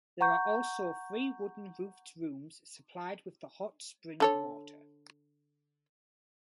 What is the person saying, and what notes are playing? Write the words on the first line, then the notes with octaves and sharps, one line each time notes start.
There are also three wooden roofed rooms supplied with the hot spring water.
F#5 A#5 C#6 G6
D3 A4 C#5